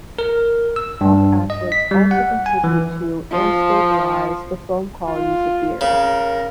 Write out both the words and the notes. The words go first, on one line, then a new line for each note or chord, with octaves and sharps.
Hop acids also contribute to and stabilize the foam qualities of beer.
A#4
E6
G2
D#5
B6
G3
F#5
G#5
E3
F3
F4
C#3 A#4